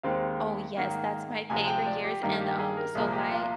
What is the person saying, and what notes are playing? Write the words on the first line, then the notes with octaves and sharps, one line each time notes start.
Oh, yes, that's my favorite years and, um, so my
D#2 D#3 G#3 C4 F5
G#2 D#3 A#3
D2 C3 F3 G#3 G#5
G5
D5
G4
G2 D#3 A#3 G4
G4
G#4
A#4
C2 A#2 F3 A#3 G#4
G4
F4